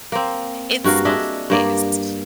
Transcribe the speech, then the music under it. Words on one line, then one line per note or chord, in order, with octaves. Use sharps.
It's self-paced.
A#3 C4
G2 F#4 A#4 F5
D4 G#4 D#5 E5
G2 A#3 D5